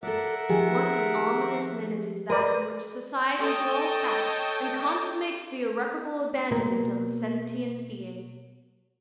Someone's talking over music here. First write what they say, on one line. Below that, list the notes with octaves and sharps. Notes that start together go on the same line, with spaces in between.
What an ominous minute is that in which society draws back and consummates the irreparable abandonment of a sentient being!
A4 A#4 D5 E5 F#5
D#3 F3 G4 G#4
A#4 B4 D5 D#5
A4 C#5 D#5 G5 A5
B2 A#3